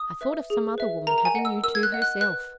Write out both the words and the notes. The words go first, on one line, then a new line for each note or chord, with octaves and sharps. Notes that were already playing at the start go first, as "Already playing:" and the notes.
I thought of some other woman having you to herself.
Already playing: D#6
B4 E5
G#4
B4 E5
A#4 A#5
A#5
G#5
D#5 F#5
E6
A#4 E6
G#6
F#6
D#5 F#5
F#6
B4 F#6